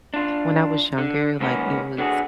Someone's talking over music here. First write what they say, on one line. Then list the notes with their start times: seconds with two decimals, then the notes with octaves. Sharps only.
when I was younger, like, it was,
0.14 D4 F4
0.98 D3
1.40 G#2 D#3 A#3 B3 C#4
1.98 D3 B3 F#4 G#4